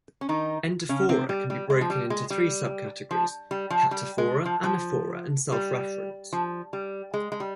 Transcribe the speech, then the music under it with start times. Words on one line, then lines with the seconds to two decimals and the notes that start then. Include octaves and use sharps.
Endophora can be broken into three subcategories: cataphora, anaphora and self-reference.
0.21 C#4
0.29 D#3 D#4
0.89 C#3 C#4
1.09 C3 C4
1.29 G3
1.50 G3
1.70 G#3
1.81 F3
1.90 G3
2.10 G#3
2.30 G3
3.11 F3
3.51 G3
3.70 F3
3.91 G3
4.18 G#3
4.45 F3
4.64 F3
5.52 G3
6.33 F3
6.73 G3
7.14 G#3
7.32 G#3
7.40 G3